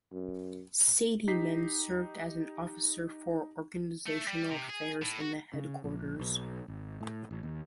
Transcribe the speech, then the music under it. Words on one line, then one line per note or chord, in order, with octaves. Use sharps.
Sayidiman served as an officer for organizational affairs in the headquarters.
F#2
D#4 G4 B6 C7
A3
G3
C3
G#4
A2
F#4
C#3
A#1
B1
G#1
A2
A1
D#2